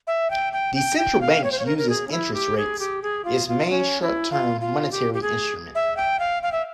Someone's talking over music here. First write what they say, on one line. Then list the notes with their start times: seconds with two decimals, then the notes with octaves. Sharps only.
The central bank uses interest rates, its main short-term monetary instrument.
0.07 E5
0.30 G5
0.53 G5
0.75 G5
0.98 G5
1.21 F5
1.44 C#5
1.52 C5
1.59 C#5
1.66 A#4
1.78 A#4
1.89 G#4
2.08 C#4
2.11 E4
2.34 G4
2.57 G#4
2.79 G4
3.02 G#4
3.25 F4
3.48 F4
3.70 C#4
4.01 E4
4.31 F4
4.61 F4
4.92 G4
5.14 G4
5.22 G#4
5.75 E5
5.97 G5
6.19 F5
6.43 F5
6.52 E5